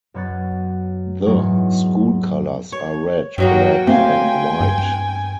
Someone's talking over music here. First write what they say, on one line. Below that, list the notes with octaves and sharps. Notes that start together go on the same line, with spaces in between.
The school colors are red, black, and white.
F#2 B2 C#5 F#6 A6
E2 G#2 B2 F#3 C#5 C#6
C#5
G2 B2 F#3 A#3 F#4 G5
A3 C4 G4 F5 G5 G#5
G2